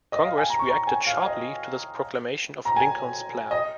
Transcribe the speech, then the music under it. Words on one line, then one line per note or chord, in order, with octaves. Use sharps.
Congress reacted sharply to this proclamation of Lincoln's plan.
D#5
F5
G#5
A#5
C#6
A#5
G#5
F5
D#5
A#5
G#5
D#5